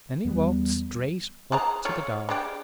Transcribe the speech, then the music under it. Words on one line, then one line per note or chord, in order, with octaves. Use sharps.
Then he walked straight up to the dog.
E2 G3 G#3 B3
G#4 A5 A#5
A3 F4 C#5
G#3 D4 G4